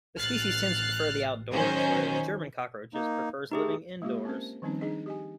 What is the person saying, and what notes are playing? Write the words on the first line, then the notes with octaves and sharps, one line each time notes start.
This species tends to prefer the outdoors, whereas the German cockroach prefers living indoors.
A1 F6 F#6 A6 C7
D#3 F#3 C#4 C5
A#3 D#4
A3 D#4 G4 G#4
G#3 A#3 F4 G4
C4 C#4 A#4 C5
D#3 F3 G3 C4 C#4 D#4
D4 D#4 G#4 D#5
G4 D#5 G#5